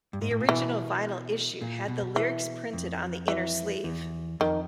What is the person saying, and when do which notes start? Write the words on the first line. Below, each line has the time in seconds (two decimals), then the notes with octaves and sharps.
The original vinyl issue had the lyrics printed on the inner sleeve.
0.13 G2
0.21 G#2
0.31 A2
0.41 A#2
0.49 B2 E3
1.61 A#2
1.88 B2
2.16 E3
2.73 F2
3.28 E3
3.84 E2
4.40 F2 D#3